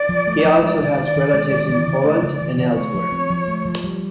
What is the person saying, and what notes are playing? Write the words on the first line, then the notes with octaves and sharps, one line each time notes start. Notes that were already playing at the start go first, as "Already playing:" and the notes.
He also has relatives in Poland and elsewhere.
Already playing: D5
F3
A3
F3
G#3 D5
D#3
C#4
D#3
G#3
D#3
E3
C#3
A3
C#3
E3
C#3
A3 C#5
F3
C4
F3
A3
F3
G3